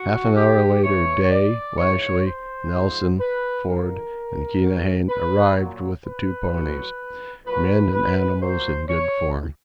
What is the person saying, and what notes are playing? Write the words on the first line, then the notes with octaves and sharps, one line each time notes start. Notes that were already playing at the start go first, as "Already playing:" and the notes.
Half an hour later Day, Lashly, Nelson, Forde, and Keohane arrived with the two ponies--men and animals in good form.
Already playing: F#4
G4
G#2 E3 C#5
D5
G#2 E3 C#5
C5
G#2 F3
B4
G2 D3 F3 A#4
F#2 D3 F#3
B4
A#2 F#3
B4
A2 F#3
A#2 F#3 B4
B4
A#2 F#3 C5
C#5